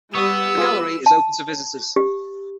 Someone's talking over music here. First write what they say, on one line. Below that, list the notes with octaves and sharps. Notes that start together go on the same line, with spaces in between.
The gallery is open to visitors.
G3 B3 C#6 D#6 E6
F4 G#4 B4
A5
G4